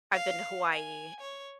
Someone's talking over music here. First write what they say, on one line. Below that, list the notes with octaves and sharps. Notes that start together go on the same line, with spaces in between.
I've been to Hawaii,
F5
G#5
C#5